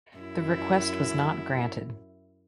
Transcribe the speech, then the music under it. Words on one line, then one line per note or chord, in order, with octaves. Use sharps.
The request was not granted.
F#2 E4